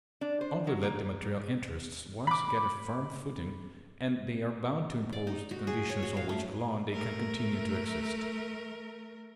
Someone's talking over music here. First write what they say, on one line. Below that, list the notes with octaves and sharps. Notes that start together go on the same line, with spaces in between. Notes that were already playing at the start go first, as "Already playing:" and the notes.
Only let the material interests once get a firm footing, and they are bound to impose the conditions on which alone they can continue to exist.
D4
C5
F#3
A#3
B5 D6
D5
D#4
F#4
G#4
C#5
F#4
F5
A3
A3 A#4